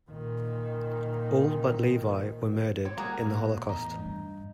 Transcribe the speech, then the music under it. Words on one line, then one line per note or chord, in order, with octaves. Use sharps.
All but Levie were murdered in the Holocaust.
A#2 D#3
C4 C#5
G3 G#3 A#3 F#4 G#4
A#2
E2 A2 E3 D#4
G2